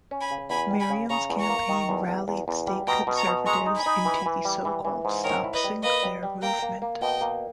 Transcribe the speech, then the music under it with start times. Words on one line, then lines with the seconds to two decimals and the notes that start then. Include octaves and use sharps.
Merriam's campaign rallied state conservatives into the so-called "Stop Sinclair" movement.
0.11 C#4
0.21 G#5 B5
0.31 C#3
0.50 E2 G#5 B5
0.71 G3
0.80 G#5 B5
0.90 C#3
1.10 C#3 A#5 C#6
1.30 E2
1.39 A#5 C#6
1.49 A#3
1.69 D#3
1.89 E2
2.08 E2
2.28 E2
2.48 E2
2.67 G3
2.87 B2 G5 A#5
3.07 B2
3.16 A#5 C#6
3.27 B2
3.46 G#3 A#5 C#6
3.66 D#4
3.76 G#5 B5
3.86 D#4
4.05 E3
4.26 E3
4.45 G3
4.65 E3
4.85 E3
5.05 G#2
5.24 D#3 A#4 C#5
5.44 E4
5.54 B4 D#5
5.64 G3
5.83 A#3 B4 D#5
6.03 G3
6.23 G3
6.42 A#3 G5 A#5
6.62 A#3
6.82 A#3
7.02 B2 D#5 G5
7.21 A#3